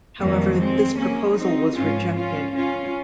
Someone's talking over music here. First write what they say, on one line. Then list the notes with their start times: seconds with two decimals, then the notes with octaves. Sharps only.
However, this proposal was rejected.
0.19 F2 D#3 G3 A#3
0.58 G#3 C4
0.97 A#3 C#4
1.36 C4 D#4
1.76 G#2 F3 C#4 F4
2.15 C#4 F4
2.54 C#4 F4